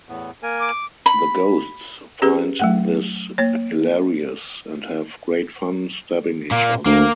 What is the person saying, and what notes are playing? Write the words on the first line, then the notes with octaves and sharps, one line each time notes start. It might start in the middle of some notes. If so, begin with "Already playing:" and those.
The Ghosts find this hilarious, and have great fun stabbing each other.
E2 A2 B3
A#3 A#4 G#5
D6
B5
C#4 G4 G#4 B4
F#3 A3 F#5
A#3 C#5
A#2 A#3
D2 A#3